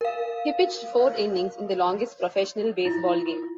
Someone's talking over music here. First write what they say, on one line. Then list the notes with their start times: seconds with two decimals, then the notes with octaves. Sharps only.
He pitched four innings in the longest professional baseball game.
0.01 A#4 F5
2.85 E4 F4